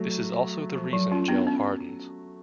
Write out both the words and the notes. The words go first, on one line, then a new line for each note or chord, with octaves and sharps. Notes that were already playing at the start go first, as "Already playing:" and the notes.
This is also the reason gel hardens.
Already playing: F#3 A3
F3
F#3
C#4 F4
B3 D4
C#4